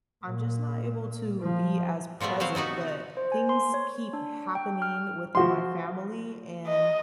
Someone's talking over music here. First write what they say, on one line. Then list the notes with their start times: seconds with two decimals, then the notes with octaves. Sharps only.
I'm just not able to be as present, but things keep happening within my family, and
0.25 A#2
1.41 F3
2.20 A#2 F3 G3 A3 B3
2.40 F#3 C4 C5 F5
2.55 C3 B3 D#4 F#4
3.17 C5
3.32 G#5
3.49 C6
3.74 C#5
4.13 D4
4.55 G5
4.82 F6
5.35 F3 F#4 C6
6.68 D#5